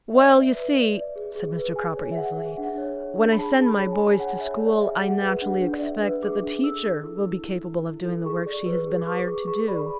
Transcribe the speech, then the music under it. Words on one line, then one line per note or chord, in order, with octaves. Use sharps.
"Well, you see," said Mr. Cropper easily, "when I send my boys to school I naturally expect that the teacher will be capable of doing the work she has been hired to do."
D5 E5
D5
B4
D5
D5
G#4
G#4
B4
G#4 G#5
C#5
E5
G#4 F#5
G#4
D4 F#5
C#5
C#5
D4
B5
G#4 A5
G#4 A5
B5
C#5
G#5
G#4
G#5
C#5 F#5
C#5 E5
C#5 D5
G#4 E5
G#4 F#5
B4
D4 F#5
D4
D5
D4 E5
B4
G#4 D6
D4
A4 E6
A4
E4
E4
E4
E4
E4
A4
G#4 C#6
D5
B4
G#4
D6
B4 C#6
G#4 D6
G#4 C#6
D5 B5
B5